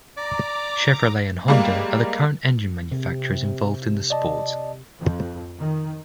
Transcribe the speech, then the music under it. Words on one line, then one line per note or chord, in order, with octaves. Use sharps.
Chevrolet and Honda are the current engine manufacturers involved in the sport.
D5 A#5 D6
G3 G#3 A#3
C3
D5 D#5 A5
F2
D#3